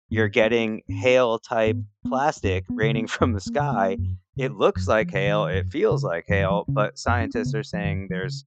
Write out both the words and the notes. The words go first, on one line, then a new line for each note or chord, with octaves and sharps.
You're getting hail-type plastic raining from the sky. It looks like hail, it feels like hail, but scientists are saying there's
G#2 A#3
A#3
B3
G#2 C#4
G#2 B3
B3
F#2 C#4
B3
C#3
B3
F#2 B3
A#3
C#3
A#3
F#2
C#3
F#2 F#3
F3
C#3
D#3
F#2
C#3
F#2 F3
D#3
F3
C#3 C#4
F#2 B3
C#4
B3
C#3
F3
F#2 D#3
F3
C#3